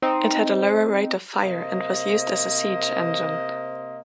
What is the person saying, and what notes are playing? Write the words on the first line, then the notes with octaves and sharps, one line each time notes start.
It had a lower rate of fire and was used as a siege engine.
C4 D#4
C3 A#3 C5 D#5